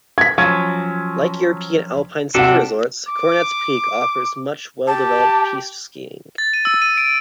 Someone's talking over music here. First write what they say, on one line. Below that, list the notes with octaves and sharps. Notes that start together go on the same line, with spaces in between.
Like European Alpine ski resorts, Coronet's Peak offers much well-developed piste skiing.
G#6 B6
F3 F#3 C#4 G#6
C3 D4 F#4 A4 F#5
D6
G4 A5
A6
D#7
E6
D#7
D7